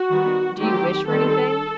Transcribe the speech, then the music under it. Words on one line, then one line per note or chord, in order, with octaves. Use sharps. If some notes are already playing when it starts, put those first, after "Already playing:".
"Do you wish for anything?"
Already playing: F#4
D#3 G3 B3
D#3 F#3 A3 C4 G4
D#3 G3 C4 A4